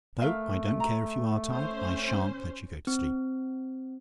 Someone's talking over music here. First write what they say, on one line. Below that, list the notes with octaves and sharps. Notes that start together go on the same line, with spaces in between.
No; I don't care if you are tired, I SHAN'T let you go to sleep.
A3 A#4 E5 F5
A#5
C#4 C5
C4